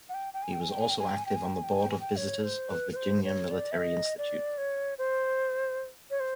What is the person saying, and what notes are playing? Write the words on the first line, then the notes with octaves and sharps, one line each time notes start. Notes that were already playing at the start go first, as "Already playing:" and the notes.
He was also active on the Board of Visitors of Virginia Military Institute.
F#5
G5
G5
G#5
G5
G#5
G5
G#5
G5
G#5
G5
G#5
G5
G#5
G5
G#5
G5
G#5
G5
G#5
G5
C#5
C5
B4
B4
C5
C#5
D5
E5
D#5
D5
C#5
C5
C#5
C5